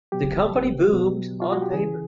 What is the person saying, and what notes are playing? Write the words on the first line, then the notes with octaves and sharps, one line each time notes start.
The Company boomed on paper.
B2 F#3 G4
B2 F#3
F4
F#4
G4
C#3 E3 G#4